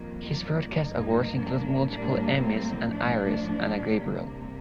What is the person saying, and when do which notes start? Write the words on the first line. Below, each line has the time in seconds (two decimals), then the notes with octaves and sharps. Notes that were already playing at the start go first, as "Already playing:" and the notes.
His broadcast awards include multiple Emmys, an Iris, and a Gabriel.
Already playing: F2 D#3 G3 A#3
0.30 D5
0.82 G2 F3 A#3 D#4
1.34 D4
1.86 A2 G3 A#3 D4
2.39 C4
2.91 A2 F3 A3 D4
3.97 C3 G3 A#3